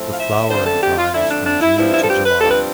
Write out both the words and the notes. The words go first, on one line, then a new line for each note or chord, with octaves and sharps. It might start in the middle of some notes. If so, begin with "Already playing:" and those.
The flowering time is from June to July.
Already playing: A2 F3 A3 C4
F5
E5
F2 D3 A3 D4 C5
A4
G4
F4
F2 D3 A3 D4 E4
D4
D4
E4
G2 F3 C4 E4
E4
A4
G4
B4
G2 F3 C4 A4
B4